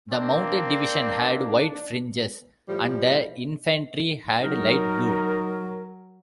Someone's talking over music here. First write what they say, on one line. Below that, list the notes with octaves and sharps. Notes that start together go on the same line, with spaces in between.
The mounted division had white fringes, and the infantry had light blue.
A#3 C4 D4
A2 F3 G3
F#3 D#4 A#4